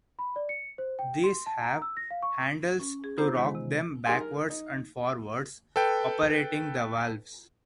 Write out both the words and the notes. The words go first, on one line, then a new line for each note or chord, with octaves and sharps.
These have handles to rock them backwards and forwards operating the valves.
B5
D5
C#7
C5
G5
C6
A5
A#5
E6
A#6
F5
C#6
C#4
G#4
B3 D#4 F4 C5 A#5 G6
D#3 E3 G#3
C3
D#4 G4 G#4 A#4 G#5 C6
A#4
D#4
A4 B4 G5